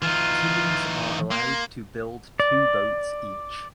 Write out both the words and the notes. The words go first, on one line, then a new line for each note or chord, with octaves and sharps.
Teams are allowed to build two boats each.
E3 D#4 F4
A#3 C6
D5